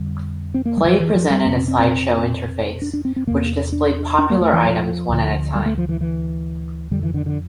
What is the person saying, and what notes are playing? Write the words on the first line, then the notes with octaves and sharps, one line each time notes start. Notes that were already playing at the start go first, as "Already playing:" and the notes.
Play presented a slideshow interface which displayed popular items one at a time.
Already playing: F2 D3 G3
C4
A#3
G3
E3
F3
E3
F3
G3
F2 C3 A#3
C4
C4
C4
D4
D4
C4
C4
E2 C3 A#3
D4
D4
A#3
A3
E3
F3
D2 D3
G3
A3
F3
E3
E3
F2 D3 G3
E3
D3
D3